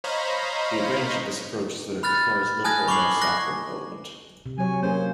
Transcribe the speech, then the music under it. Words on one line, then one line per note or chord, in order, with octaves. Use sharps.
The advantage of this approach is that it requires little or no software development.
C5 C#5 D#5 F5 A#5 B5
B5 F6 F#6 A6
G#5 A5 D#6 F#6 G#6 A#6
B5 C#6 D6 F#6 C7 F#7
C#6 D6 F#6 A#6
C3
F#3 C#5 G#5
A#3 C#4 G#4 C5